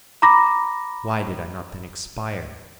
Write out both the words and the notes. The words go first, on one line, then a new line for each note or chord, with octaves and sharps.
Why did I not then expire!
A#5 B5 D6 A#6